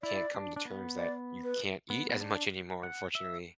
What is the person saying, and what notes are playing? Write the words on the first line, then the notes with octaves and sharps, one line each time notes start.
can't come to terms that you can't eat as much anymore, unfortunately.
E4 D5
D4
D4
B3
D5
B4
B3
B3
D4
F#5
E5